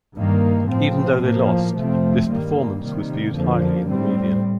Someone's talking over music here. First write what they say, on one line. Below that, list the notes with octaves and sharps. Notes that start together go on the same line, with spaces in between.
Even though they lost, this performance was viewed highly in the media.
G2 D#3 A#3
A2 F3 C4
A2 F3 A#3
F2 C3 F3 A3 C4
G2 D#3 G3 A#3
C3 D#3 G3 A#3
F2 D3 F3 A#3
A2 G3 C4